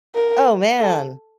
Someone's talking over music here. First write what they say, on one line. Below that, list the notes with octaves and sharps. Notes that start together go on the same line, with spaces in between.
Oh, man.
A#4
A4